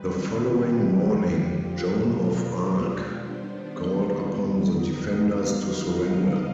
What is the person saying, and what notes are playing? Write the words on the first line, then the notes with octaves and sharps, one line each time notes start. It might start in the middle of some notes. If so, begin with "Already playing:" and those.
The following morning Joan of Arc called upon the defenders to surrender.
Already playing: D#3 G3 C4 B4
G4
F2 D3 F3
F4
B2 G#3 D4
G4
D#3 G3 B3 D4 C5
F2 D#3 G3 B3 D#4
D#5
D#3 B3 D#4 F5
D#5